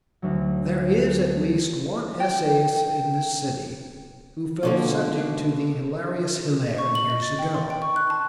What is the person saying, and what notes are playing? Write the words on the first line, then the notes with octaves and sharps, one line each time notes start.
There is at least one essayist in this city who fell subject to the hilarious Hilaire years ago.
D2 F#3
G5
B2 D3 A#3
C#6
F#7
D#5
A6
G5
C6
G5
C#6
F#6
A5